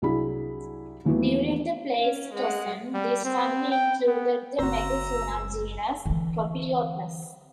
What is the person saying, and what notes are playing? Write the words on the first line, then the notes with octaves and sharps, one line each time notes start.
During the Pleistocene, this family included the megafauna genus "propleopus".
C2 F#3 D4 E4 G#4 B5
D#2 E3 F#3 A3 B3
C#4
G#3 F#5
G3
C4
G5
B3
F#1 F#4 C5 A#5 E6
D3 E3